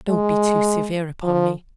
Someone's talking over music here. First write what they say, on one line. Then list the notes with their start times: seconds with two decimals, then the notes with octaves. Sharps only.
Don't be too severe upon me.
0.09 G#3
1.24 F3